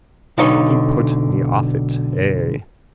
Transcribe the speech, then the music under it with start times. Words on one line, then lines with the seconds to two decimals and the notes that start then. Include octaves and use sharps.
He put me off it. Ay.
0.38 B1 D3 D#4 C#5